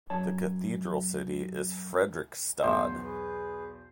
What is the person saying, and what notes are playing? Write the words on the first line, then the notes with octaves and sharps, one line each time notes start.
The cathedral city is Fredrikstad.
F#2 C#5 A5
B1 E2 A3 G4 C5 F5 E7
B3
G#4 B4